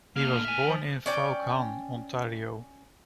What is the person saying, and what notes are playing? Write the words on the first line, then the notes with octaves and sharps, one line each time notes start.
He was born in Vaughan, Ontario.
D3 A#3 F6
E5 G#5
F3
C#4 D5 G5